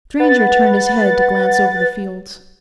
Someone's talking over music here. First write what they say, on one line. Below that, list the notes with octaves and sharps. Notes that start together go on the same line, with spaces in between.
The stranger turned his head to glance over the fields.
B4 F#5 A6